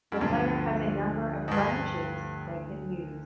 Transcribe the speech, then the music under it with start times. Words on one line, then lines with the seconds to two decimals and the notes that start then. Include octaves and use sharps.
The player has a number of "Branches" they can use.
0.12 F#2
0.20 D2 G2 D3 F3
1.48 G#2
1.51 G2